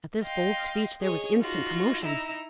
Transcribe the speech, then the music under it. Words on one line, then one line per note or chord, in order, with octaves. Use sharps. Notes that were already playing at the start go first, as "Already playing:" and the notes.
At this bold speech there was instant commotion.
D#5 F5 G5 C6
G#4 C#5 D#5
D#4 F4 F#4
D#4 E4 A#5 E6